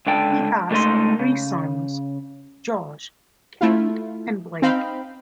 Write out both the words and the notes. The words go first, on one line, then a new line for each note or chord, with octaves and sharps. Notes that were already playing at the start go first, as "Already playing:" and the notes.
He has three sons: Josh, Cade and Blake.
C#2 D3 G5 A5
C#2 A3 A#3 D#4 D#5 C6
C#3
A3 E4 F4
C4 D#4 F5 G5 B5